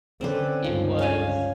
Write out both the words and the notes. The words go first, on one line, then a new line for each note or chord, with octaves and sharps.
It was
D3 C4 C#4 B4
C#2 G2 F3
C#4 F5 G#5